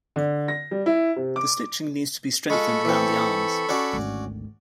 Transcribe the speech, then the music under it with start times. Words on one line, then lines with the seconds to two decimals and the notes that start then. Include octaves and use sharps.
The stitching needs to be strengthened around the arms.
0.16 D3
0.48 A#6
0.71 G3
0.86 E4
1.16 C3
1.36 D6
2.50 G#3 F4 A4 B5 C#6
2.85 E3 C4
3.69 C#4 F#4 D5
3.93 G#1 D2